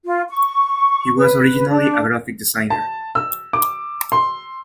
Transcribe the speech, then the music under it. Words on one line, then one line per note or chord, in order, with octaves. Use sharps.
He was originally a graphic designer.
F4
C#6
B4
D4
A5
E6
D6
C6